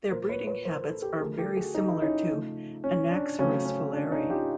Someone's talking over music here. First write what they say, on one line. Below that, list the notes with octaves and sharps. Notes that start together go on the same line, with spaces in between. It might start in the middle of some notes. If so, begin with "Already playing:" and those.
Their breeding habits are very similar to "Anaxyrus fowleri".
A#2 F#3 A#3 A#4 C5
B4 C#5
B4 C#5
A#4 C5
A4 B4
G4 A4
D3 F3 A3 G#4 A#4
G4 A4
F#4 G#4
D#4
E4
C#4 D#4
C#3 F3 A3
C#4
D4
C#3 F#3 A3 C4 C#4
C#4
D4
C#4 D#4
F4 G4